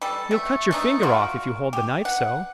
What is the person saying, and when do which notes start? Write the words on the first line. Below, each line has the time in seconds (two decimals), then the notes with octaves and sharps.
"You'll cut your finger off, if you hold the knife so!"
0.02 G3 A4
0.31 A3
0.71 A3 D4 D#4
1.03 F4 F#4 A#4
1.73 G4
2.05 F#5